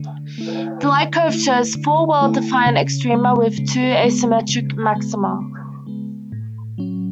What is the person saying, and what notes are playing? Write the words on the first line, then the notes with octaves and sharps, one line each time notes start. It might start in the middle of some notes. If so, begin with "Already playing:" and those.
The light curve shows "four well defined extrema with two asymmetric maxima".
Already playing: D3 A3
A3 E4
D3
A3 E4
D3
A3 E4
C#3
G#3 B3
C#3
G#3 B3
C#3
G#3 B3
C#3
G#3 B3
A2
F#3 C#4